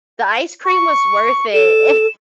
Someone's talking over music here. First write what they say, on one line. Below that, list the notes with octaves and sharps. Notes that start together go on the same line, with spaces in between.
the ice cream was worth it,
C#6
A4 E7